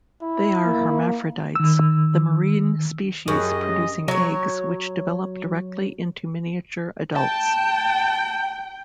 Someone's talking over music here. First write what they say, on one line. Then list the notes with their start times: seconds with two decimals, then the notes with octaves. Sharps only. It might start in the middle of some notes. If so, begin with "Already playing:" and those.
They are hermaphrodites, the marine species producing eggs which develop directly into miniature adults.
0.22 E4
0.66 A#3
1.55 D#3 E6
3.28 F#2 G4 G#4 D#5
4.08 F#3 C#5
7.16 G5 A5